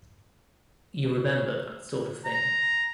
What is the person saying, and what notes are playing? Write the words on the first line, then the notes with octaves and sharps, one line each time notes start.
You remember that sort of thing.
A#5